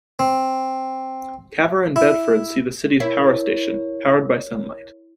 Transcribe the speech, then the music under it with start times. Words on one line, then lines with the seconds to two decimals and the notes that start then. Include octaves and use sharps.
Cavor and Bedford see the city's power station, powered by sunlight.
0.19 C4
1.96 E4
3.00 E4 A#4 C#5